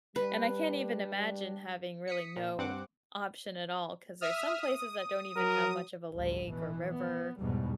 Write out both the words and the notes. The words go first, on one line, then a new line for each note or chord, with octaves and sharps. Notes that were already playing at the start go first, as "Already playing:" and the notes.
And I can't even imagine having really no option at all, 'cause there's some places that don't even have much of a lake or river,
G3 D4 B4
D#6 B6 C#7
A#2
G2 C4 F#5 D6
E5 D#6 F6
D#6
F#3 A#4
A1 D2 G2
B2 E3
B3
E2 G#2 B2 G3